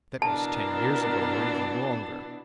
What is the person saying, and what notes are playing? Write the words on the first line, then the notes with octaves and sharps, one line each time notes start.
That was ten years ago or even longer.
B2 E3 D4 A#4 A5